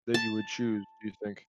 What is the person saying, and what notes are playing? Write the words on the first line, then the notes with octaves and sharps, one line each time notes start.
that you would choose, do you think?
A5